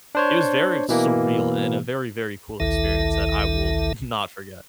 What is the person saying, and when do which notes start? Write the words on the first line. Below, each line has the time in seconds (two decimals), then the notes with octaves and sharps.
it was very surreal and a very, very cool experience that I will not forget.
0.15 D4 C5 C#5
0.89 B2 E3 A#3
2.60 A1 D2 D#3 E4 A4 E5